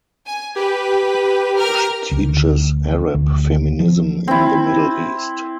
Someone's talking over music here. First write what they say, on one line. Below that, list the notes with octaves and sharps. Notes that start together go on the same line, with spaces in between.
She teaches Arab feminism in the Middle East.
G#5
G4 B4
A#4 F6
C#2
D2
D2
F3
C4 E4